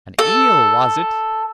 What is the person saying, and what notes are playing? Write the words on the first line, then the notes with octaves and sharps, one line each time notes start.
An eel, was it!
A4